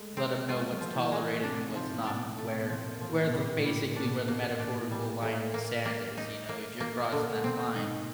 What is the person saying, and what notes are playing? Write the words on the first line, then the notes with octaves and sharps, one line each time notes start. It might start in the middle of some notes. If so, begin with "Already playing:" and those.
Let 'em know what's tolerated and what's not and where where the basically where the metaphorical line in the sand is. You know? If you're crossing that line,
Already playing: G#3 A3
C4
G#3 F4
F#3
F3
E3
G#3
E3
C3 D4
G#2
F3
A2
D4
B2
C3 A3
B2
F3
A#2
F3
A2
B2
A#2 G3
A2
G3
A#2
D4
B2
B2 A#3
A#2
D4
A2
G3
A2
A#3
A#3
D#4
A#3
A#3
A#2 D3
B2 C4
G#2 D#4